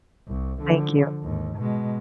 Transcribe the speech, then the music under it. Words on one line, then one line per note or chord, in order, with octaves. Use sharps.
Thank you.
C2
D3 F3
D#2 G#2
B2 G#3